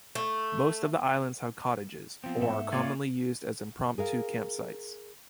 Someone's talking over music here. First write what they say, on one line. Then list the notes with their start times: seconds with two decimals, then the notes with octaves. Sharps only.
Most of the islands have cottages or are commonly used as impromptu campsites.
0.15 A3
2.24 F3 B3 C4
2.40 G#2 A3 E5
2.72 A#3 F4 C#5 D5
3.98 G#4 A#4 F5